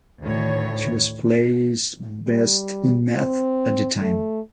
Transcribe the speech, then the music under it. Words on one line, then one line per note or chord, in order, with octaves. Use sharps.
She was placed Best in Math at the time.
D2 A2 D#3 C#5
G3
C4
A3